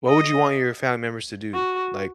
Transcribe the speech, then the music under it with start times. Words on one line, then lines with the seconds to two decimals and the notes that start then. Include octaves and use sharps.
What would you want your family members to do? Like
0.09 D#5
1.54 F#4